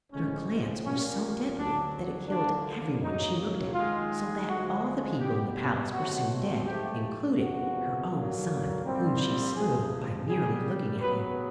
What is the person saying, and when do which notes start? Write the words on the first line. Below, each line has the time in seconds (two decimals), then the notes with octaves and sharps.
But her glance was so deadly, that it killed every one she looked at; so that all the people in the palace were soon dead, including her own son, whom she slew by merely looking at him.
0.11 A2 F3 G#3 C#4
0.83 A#2 G3 A#3 C#4
1.56 D2 D3 F#3 D4
2.28 D2 D3 F3 A#3 D4
3.01 D#2 C#3 F#3 A#3 D#4
3.73 D#2 D#3 G#3 F4
4.46 D2 D3 F3 G#3 F#4
5.19 B2 G3 B3 G4
5.92 B2 F#3 A3 C4 F#4
6.64 G#2 F3 A3 G4
7.37 E2 C3 F3 A#3 F#4
8.10 D#2 D3 F#3 A#3
8.82 C2 A#2 G3 C4
9.54 D2 C3 F3 G#4
10.27 C2 A#2 G3 A#3 G#4
11.00 F#2 C#3 F#3 B3 B4